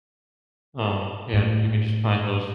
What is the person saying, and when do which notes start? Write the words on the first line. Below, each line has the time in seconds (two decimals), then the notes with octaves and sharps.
um, yeah, and if we can just find those,
1.34 A2